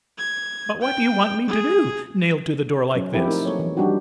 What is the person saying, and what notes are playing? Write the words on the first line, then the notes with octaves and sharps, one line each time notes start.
"But what do you want me to do, nailed to the door like this?"
G#6
G5
G#4
F#3 C#4
F3 C4 E4 G4
A3 D#4 A#4
F#3 A#3 A4 C#5
E3
F3 G3 D4 D#4 F#4 G4